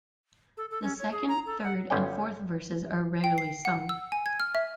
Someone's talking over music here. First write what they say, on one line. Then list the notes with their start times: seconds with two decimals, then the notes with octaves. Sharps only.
The second, third and fourth verses are rarely sung.
0.57 A4
0.71 A4
0.83 C#4
0.99 C#5
1.12 G#4
1.28 A#5
1.46 A4
1.64 F#5
1.90 G1 C#4 D5 G5
3.24 G5
3.38 C7
3.65 F#5
3.89 E6
4.12 G#5
4.26 G#6
4.40 F6
4.55 E5